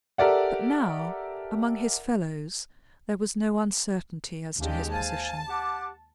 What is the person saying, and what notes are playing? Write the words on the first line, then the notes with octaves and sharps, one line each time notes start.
But now, among his fellows, there was no uncertainty as to his position.
G4 A4 A#4 D5 E5 F#5
D#2 G#3 A#3 C#4 D4 G4
C5 F5 G#5 A5
G4 F#5 D6